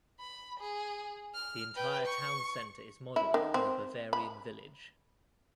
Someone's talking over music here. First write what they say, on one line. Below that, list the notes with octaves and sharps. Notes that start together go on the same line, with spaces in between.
The entire town center is modeled on a Bavarian village.
B5
G#4
F6
B4 G5
C#6
E4
D#3
C4
B5